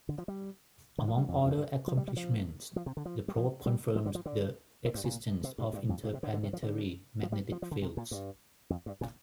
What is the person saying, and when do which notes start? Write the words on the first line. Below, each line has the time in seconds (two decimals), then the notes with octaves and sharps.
Among other accomplishments, the probe confirmed the existence of interplanetary magnetic fields.
0.09 D3
0.18 F3
0.28 G3
0.98 D3
1.08 F3
1.17 G3
1.28 F2
1.37 G2
1.46 F2
1.57 G2
1.88 F3
1.97 G3
2.08 G3
2.17 F3
2.76 F3
2.86 C3
2.97 D3
3.05 F3
3.28 G3
3.36 F3
3.66 G3
3.96 F3
4.05 D3
4.15 F3
4.26 D3
4.85 C3
4.95 G2
5.04 A#2
5.44 C3
5.58 G2
5.73 G2
5.89 F2
6.04 G2
6.13 C3
6.23 D3
6.34 D3
6.43 C3
6.53 F3
6.63 D3
7.23 F3
7.32 G3
7.52 F3
7.62 F3
7.71 D3
7.82 C3
7.97 A#2
8.11 G2
8.70 F2
8.86 G2
9.01 A#2